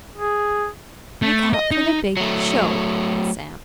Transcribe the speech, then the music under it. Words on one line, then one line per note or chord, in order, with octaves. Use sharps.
"Look out for the big show," read Sam.
G#4
A3
D#5
D#4
F#3 A3